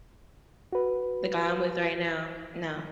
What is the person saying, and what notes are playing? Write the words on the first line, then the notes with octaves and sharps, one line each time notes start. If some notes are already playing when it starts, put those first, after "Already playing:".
the guy I'm with right now, no.,
F#4 B4